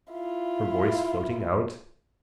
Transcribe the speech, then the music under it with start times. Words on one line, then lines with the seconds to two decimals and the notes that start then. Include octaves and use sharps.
Her voice floating out.
0.12 E4 F4